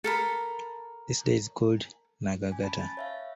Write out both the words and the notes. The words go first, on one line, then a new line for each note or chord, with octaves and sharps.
This day is called as "Nagagata".
A4 A#4 B5
C#4 G#5
A5 B5
A6
C#5 E5 F5